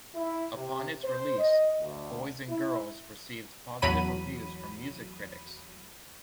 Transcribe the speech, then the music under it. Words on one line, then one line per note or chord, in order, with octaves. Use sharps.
Upon its release, "Boys and Girls" received positive reviews from music critics.
E4
C3
C5
D#5
D2
E4
A1 E2 F#3 B5 D#7